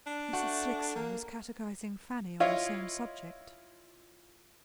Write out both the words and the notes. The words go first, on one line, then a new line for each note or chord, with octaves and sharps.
Mrs. Slickson was catechising Fanny on the same subject.
D4
A3 F#4
A#3
E4 F4 C#5 D#5 F5